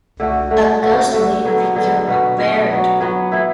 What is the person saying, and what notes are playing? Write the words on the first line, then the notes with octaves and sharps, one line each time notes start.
A ghostly figure appeared.
D3 A3 F#4
D3 A3 F#4
D3 A3 F#4
D3 A3 F#4
D3 F#3 B3
D3 F#3 B3
B2 B3 F#4
B2 B3 F#4
F#3 B3 F#4
F#3 B3 F#4
E3 B3 E4